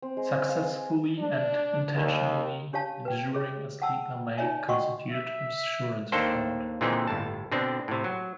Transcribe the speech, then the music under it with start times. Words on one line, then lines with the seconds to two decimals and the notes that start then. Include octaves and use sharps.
Successfully and intentionally insuring a sleeper may constitute insurance fraud.
0.02 C4
0.17 G#3
0.49 F5
0.63 G#5
1.19 D4
1.97 D#2
2.73 D4 G4 C#5 F5 A5
3.05 B4 G5
3.33 G4 G#4 C#5
3.82 F#5 G5 A5 E6
4.38 D#4 F4 C#5 D5 E5 G#5
4.68 F#4 D#5 F#5 G5 C6 C#6
5.09 E5
6.12 D#2 A#3 D4 A4 C5 G5
6.81 A#2 D3 E3 G#3 C4
7.07 G1 A2 A5
7.52 B2 D3 C4 D4
7.88 A2 C3
8.04 F#3